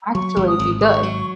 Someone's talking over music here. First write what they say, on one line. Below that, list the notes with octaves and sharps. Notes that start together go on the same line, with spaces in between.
actually be good.
F#3 C#6
G#1
D#6
G#1
G#1 C#6 D#6
F#3